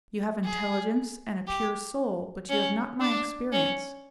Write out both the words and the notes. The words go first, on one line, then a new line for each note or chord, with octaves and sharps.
You have intelligence and a pure soul, but you have not my experience.
G#4
G4
C#4
D4
C#4